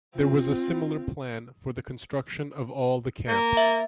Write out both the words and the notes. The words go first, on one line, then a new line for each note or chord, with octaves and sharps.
There was a similar plan for the construction of all the camps.
C4 F4
A#3
E5